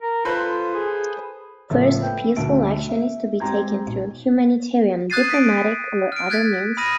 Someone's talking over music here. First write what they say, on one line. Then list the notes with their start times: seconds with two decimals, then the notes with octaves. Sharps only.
First peaceful action is to be taken through humanitarian, diplomatic, or other means.
0.02 A#4
0.25 F4 A4 B4 C5
0.74 G#4
1.70 F#1 A2 F3 A4 E6
2.01 B3 G5
2.36 D2 B2 A3 D7
2.89 E5
3.40 G#3 C4 G4 A#5 C6 G#6
3.87 B1
5.10 D#6 F#6 G#6 A6 C7 D#7
5.30 B6 D7
6.12 F6 D7
6.30 F#6 G#6 A6 B6
6.77 B5 D#6 F6 A#6 D#7